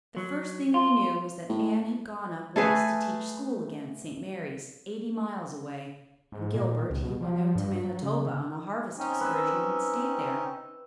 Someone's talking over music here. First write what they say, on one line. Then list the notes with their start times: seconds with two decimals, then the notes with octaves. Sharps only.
The first thing we knew was that Anne had gone up west to teach school again at St. Mary's, eighty miles away, and Gilbert, he went out to Manitoba on a harvest excursion and stayed there.
0.17 F#3
0.74 F4
1.49 A2
2.56 A3 G#4 B4 G#5
6.32 G#2
6.54 A#2
6.90 C#2
7.04 B2
7.21 F3
7.55 G2
7.84 F#3
8.03 C#3
8.98 C4 C#4 D#4
9.21 B4 E5